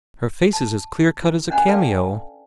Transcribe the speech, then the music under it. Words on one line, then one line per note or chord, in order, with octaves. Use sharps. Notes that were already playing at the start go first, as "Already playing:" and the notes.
Her face is as clear-cut as a cameo.
A5
E4
C#4 D4 D#5 F#5 G#5 B5
A4 B4 D5 F5 G5 A5